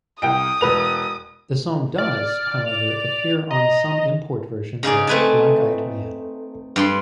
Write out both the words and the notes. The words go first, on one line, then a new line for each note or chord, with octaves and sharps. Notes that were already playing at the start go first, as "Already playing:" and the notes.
The song does, however, appear on some import versions of "Black Eyed Man".
C2 G5 D#6 D7
E1 B4 F7
D5 F6
F7
D#5 A#5
C#3 D#4 G#4 D5
A3 C4 B4 G#5 A5
G2 D5 C6